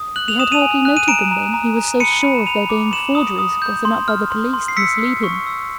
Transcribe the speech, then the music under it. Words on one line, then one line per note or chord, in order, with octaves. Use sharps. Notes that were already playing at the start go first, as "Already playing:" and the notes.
He had hardly noted them then, he was so sure of their being forgeries, gotten up by the police to mislead him.
Already playing: D#6
F#6 F#7
F7
D#6 E7
D#7 F7
G#5
F#6
D#7
A#5 D7 E7
A#5
A#5
A#5
B5 C#7 D#7
B5
E7
B5 D#7 F7
D6
F7
C6 E7 F#7
D#6
D#6
G6
C6
F6
C6
C6
C7
E6 B6 C#7
E6
C#6
E6